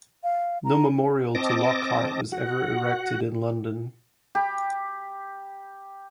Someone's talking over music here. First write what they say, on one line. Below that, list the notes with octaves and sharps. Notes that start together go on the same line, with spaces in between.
No memorial to Lockhart was ever erected in London.
F5
A#5
C4 D#5 A5 D6 A#6
F#4 F#5
G4 B5